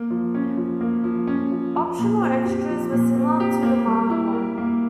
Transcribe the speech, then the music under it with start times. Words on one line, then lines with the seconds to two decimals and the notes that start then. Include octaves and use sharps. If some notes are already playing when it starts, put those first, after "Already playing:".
Optional extras were similar to the Mark One.
Already playing: A#3
0.10 F3
0.35 C#4
0.57 F3
0.81 A#3
1.04 F3
1.27 C#4
1.52 F3
1.75 F3
1.99 A#2
2.21 C4
2.45 G4
2.69 F3
2.92 A#2
3.15 C4
3.40 G4
3.63 A#3
3.86 G3
4.10 E4
4.33 A#4
4.58 A#3